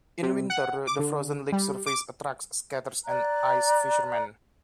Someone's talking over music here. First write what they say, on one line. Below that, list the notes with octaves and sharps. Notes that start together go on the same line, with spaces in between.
In winter, the frozen lake surface attracts skaters and ice-fishermen.
C3
F#5
D6
D3
G3
D6
D5 A#5 F#6